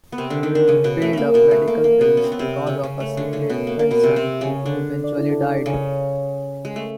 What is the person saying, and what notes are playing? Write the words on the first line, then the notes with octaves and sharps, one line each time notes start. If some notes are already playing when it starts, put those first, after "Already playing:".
He piled up medical bills because of a sickly infant son who eventually died.
B3
C3 C4
D3 D4
D#3 D#4
D3 D4
C#3 C#4
B2 B3
A3
A3 A#3
B2 B3
A3
A#3
A#3
B2 B3
C#4
C4
B3
C3 C4
C#3 C#4
C#3 C#4
A3
D3 D4
C#3 C#4
B2 B3
A#3
A#3
B2 B3
C3 C4
C3 C4
C#3 C#4
D3 D4
C#3 C#4
G#3
A3